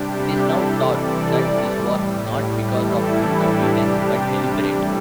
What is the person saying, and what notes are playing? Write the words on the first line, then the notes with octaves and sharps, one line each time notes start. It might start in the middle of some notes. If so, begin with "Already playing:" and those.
It is now thought that this was not because of incompetence, but deliberate.
Already playing: C3 G3 D4 G4
E4 A4
C3 E3 G3 A4 D5
A2 G3
A2 E3 G3 E4 A4
D4 G4
C3 G3 D4 G4
A2 E3 G3 E4 A4